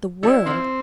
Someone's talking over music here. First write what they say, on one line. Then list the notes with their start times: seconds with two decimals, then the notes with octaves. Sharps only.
The world!
0.23 G3 E4
0.46 F3 C4